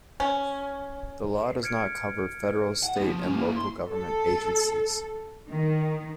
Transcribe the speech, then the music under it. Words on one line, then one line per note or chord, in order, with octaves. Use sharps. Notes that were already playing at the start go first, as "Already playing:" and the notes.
The law does not cover federal, state, and local government agencies.
C#4
F6 G#6 C#7 D7
F#5
B3 D#4
F3
E2 C#4
A#3 E4
C6
A4
D#3